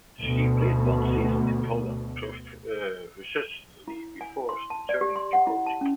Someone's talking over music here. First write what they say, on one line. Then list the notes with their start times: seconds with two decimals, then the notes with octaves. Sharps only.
She played one season in Poland professionally before turning to coaching.
0.21 D2 B2
3.88 E4
4.21 G#5
4.49 C6
4.70 A5
4.89 D5
5.01 G4
5.16 C6
5.33 F#5
5.47 E4
5.66 A5
5.81 C#4